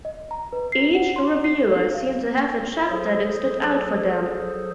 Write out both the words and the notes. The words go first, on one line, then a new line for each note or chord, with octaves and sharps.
Each reviewer seemed to have a chapter that stood out for them.
D#5
A#5
B4
C7
F#5
C6
C7
A4
F5
F#3 G#4 A4 C5